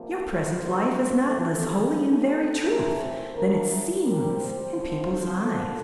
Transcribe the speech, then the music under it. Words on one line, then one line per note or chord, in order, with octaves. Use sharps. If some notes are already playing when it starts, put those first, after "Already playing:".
Your present life is not less holy, in very truth, than it seems in people's eyes.
Already playing: D2 C3 F3 A#3
A4
G2 D3 G3 A#3 C5
G2 E3 A3 A4
G4
D2 C3 F3 C4 A4
A4
A2 E3 A3 C4 A#4
C5
D2 D3 A3 A#4
A#2 G3 C4 A#4
C5
D2 D3 F3 A3 C4
C5
G2 D3 F3 A#3 A4